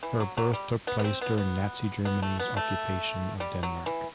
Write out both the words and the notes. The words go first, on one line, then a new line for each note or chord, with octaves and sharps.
Her birth took place during Nazi Germany's Occupation of Denmark.
E3
F#3
F#3
G3
B3
B3
C4
B3
B3
B3
A3
B3
A3
G3
F#3
E3